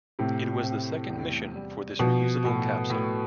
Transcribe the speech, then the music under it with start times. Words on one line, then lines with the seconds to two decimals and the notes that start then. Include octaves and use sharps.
It was the second mission for this reusable capsule.
0.19 A2 C3
0.64 C4
1.09 E2
1.55 G3
1.99 B2 F3
2.45 A2
2.90 A2